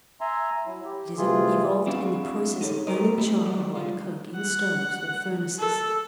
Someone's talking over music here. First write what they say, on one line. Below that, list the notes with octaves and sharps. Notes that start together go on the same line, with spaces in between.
It is evolved in the process of burning charcoal and coke in stoves or furnaces.
E5 G#5 A#5 C6
F#3 E4
G4
D2 C3 E3 F4 G#4
C4 D4 E4 F#4 G#4 F5
D#4 G4 A4 B4 C#5
F#4 G4 A4 A#4 C5 D#5
A3 C4 E4 G4
F#3 G#3 F#4 D5
D3 G3 G#3 F4
F#5
A4